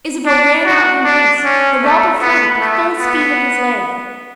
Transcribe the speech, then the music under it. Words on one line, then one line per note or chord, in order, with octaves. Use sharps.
Isabeau ran out in haste; the robber fled at the full speed of his legs.
D4
F#4
D4
C#4
A3
B3
A3
B3